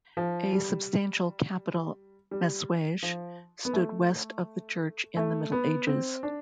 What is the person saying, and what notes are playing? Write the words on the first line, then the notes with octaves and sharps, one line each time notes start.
A substantial capital messuage stood west of the Church in the Middle Ages.
F3
G3
G3
F3
B3
A3
A3
B3
C4
D4